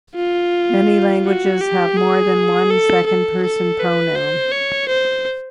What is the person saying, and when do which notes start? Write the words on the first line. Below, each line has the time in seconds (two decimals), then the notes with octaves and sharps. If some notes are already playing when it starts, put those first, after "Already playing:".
Many languages have more than one second-person pronoun.
0.16 F4
1.25 F#4
1.61 G4
1.97 G#4
2.70 A4
3.06 A4
3.43 A4
3.79 B4
4.16 C5
4.52 C#5
4.88 C5